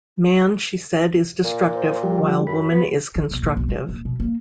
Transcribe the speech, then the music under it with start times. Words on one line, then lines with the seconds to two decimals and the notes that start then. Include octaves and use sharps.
Man, she said, is destructive, while woman is constructive'.
1.44 A#2
1.75 C5
2.03 F3 G3 G4
2.47 F#2 B5
2.69 B3
3.16 D#3
3.31 B1
3.43 A#2
3.57 B1
3.69 G#3
3.89 D#1
4.05 B2
4.20 A#3